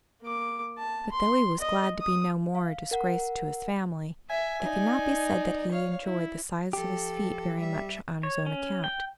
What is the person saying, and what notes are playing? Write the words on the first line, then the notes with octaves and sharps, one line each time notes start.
But though he was glad to be no more a disgrace to his family, it cannot be said that he enjoyed the size of his feet very much on his own account.
A#3 D6
A5
C6
D#5
D#6
F5
A#4 F#5
E5 G#5
D#4 D5
C#5 F5
E4
F3 G4 A4
G3 E5
C#5
C#4
G5